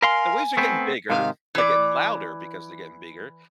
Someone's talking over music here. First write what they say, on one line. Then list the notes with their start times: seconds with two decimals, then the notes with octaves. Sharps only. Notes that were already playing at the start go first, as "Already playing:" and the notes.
The waves are getting bigger. They're getting louder because they're getting bigger.
0.02 A#4 F5 G#5 C6
0.57 A3 B3 C4
1.10 G#2 C3 D#3 F5
1.55 E3 D5